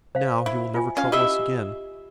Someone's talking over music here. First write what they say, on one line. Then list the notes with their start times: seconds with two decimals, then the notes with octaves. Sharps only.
Now he will never trouble us again.
0.15 C5 F5
0.46 E4
0.75 F4 G#5
0.97 C#4 F5
1.12 E4 G4 D#5 E5